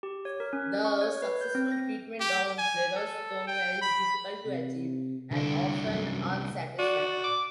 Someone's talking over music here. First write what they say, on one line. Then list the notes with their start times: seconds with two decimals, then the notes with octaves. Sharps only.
The successful treatment of xerostomia is difficult to achieve and often unsatisfactory.
0.03 G4
0.25 C#5
0.40 A#4
0.53 C#4
0.85 C#6
1.02 C#5
1.22 B4
1.41 G6
1.55 C4
1.72 A#6
2.20 G4
2.58 G#5
2.96 A4
3.47 G5
3.82 B5
4.46 C3
5.32 C2 D3 D4
5.86 F#2
6.79 F#4 D5
7.06 D5
7.24 D6